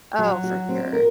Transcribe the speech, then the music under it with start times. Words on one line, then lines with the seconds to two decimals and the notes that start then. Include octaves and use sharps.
Oh, for sure.
0.19 F#3
0.44 F#4
0.69 C4
0.93 A#4